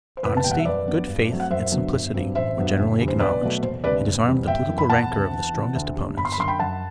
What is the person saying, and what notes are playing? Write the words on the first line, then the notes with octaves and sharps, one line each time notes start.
His honesty, good faith, and simplicity were generally acknowledged, and disarmed the political rancor of the strongest opponents.
C5
F#1 B4
A5
E2 B2 G3 G5
F#5
E5
F#2 B4 D5
F#3 B3 D4
G2
F#3 A3 C4
F#5
F#2 C5 E5
D3 F#3 B3
G1
G2 F#3 C4
A1 C5 E5
G2 F#3 B3 D4
F#1
E2 D3 G3
C5
B1 B4 D5
B2 F#3 A3
E1 C5
D2 C3 G3 D4 B4 D5
F#1
E2 B2 G3 C4
G1 E5 G5
F#2 E3
B5
E1 F#5 A5
D2 C3
E2
C3 E3
D2
D3 G3
G1 B5
C6
B5
F#2 D3 C6
G5 B5
F#2 F#5 A5